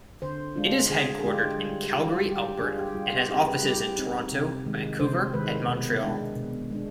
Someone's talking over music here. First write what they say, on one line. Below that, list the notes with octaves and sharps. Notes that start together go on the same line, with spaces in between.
It is headquartered in Calgary, Alberta and has offices in Toronto, Vancouver, and Montreal.
D3 C5
G#3 D4 F4
D3 G#4
G#4
G#3 D4 F4 G4
G3
D4 F4
G3 G4
D4 F4 G#4
G4
G3 F4
G4
C4 D#4 G#4
B4
G3 G4
C4 D#4
C3
D#3 G#3
C3 C5
D#3 G#3 B4
B2
G#3 D4
B2
G#3 D4